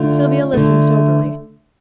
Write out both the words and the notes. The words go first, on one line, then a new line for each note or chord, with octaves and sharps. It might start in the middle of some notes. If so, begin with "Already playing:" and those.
Sylvia listened soberly.
Already playing: D3 A3 D4 F4
D3 A3